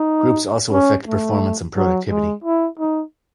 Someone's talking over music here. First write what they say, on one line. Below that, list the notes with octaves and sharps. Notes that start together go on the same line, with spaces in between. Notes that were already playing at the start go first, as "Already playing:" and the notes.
Groups also affect performance and productivity.
Already playing: D#4
C#4
A3
F#3
G#3
E4
D#4